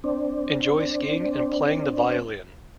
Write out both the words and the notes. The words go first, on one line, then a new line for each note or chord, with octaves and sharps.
Enjoys skiing and playing the violin.
C4 D4